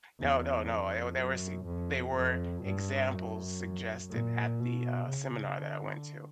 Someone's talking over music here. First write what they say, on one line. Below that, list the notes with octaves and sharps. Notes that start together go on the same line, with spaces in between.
No, no, no, I oh, there were some they were examples suggested at the, uh, seminar that I went to,
E2
F2
F#2
F2
F2
G2
F#2
A#2
B2
C#3
D3